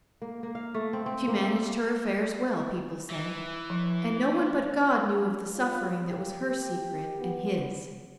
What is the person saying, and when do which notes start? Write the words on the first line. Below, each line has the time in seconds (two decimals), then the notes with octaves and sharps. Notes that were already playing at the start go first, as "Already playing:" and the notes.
She managed her affairs well, people said, and no one but God knew of the suffering that was her secret and His.
0.22 A#3
0.43 A#3
0.55 F5
0.74 A3
0.93 C4
1.06 C4
1.28 A#3
1.43 E5
3.10 E3
3.70 F3
5.55 F4
6.09 G4
7.20 B3